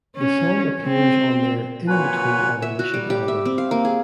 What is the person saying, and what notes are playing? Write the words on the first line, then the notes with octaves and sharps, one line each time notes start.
The song appears on their "In Between Evolution" album.
C#4
C4
A#2 F#4 B4 C#5 G#5
E5
F#4
G3
G4
E5
C4
F5
A#3
G#4